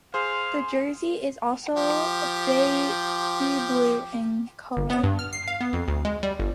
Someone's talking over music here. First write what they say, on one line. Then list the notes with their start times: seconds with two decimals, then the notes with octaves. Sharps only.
The jersey is also baby blue in colour.
0.14 G#4 C5 F5 C6
1.76 F3 G4
4.77 G1
4.90 B3
5.03 G2
5.19 F6
5.33 C7
5.48 F5
5.61 B3
5.73 F2
5.88 D2
6.05 G#3
6.23 G3
6.40 G1